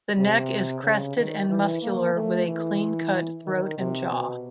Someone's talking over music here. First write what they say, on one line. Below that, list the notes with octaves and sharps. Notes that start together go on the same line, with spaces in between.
The neck is crested and muscular with a clean cut throat and jaw.
C3
C#3
D#3
E3
A#3
A3
E3
D#3
C3
B2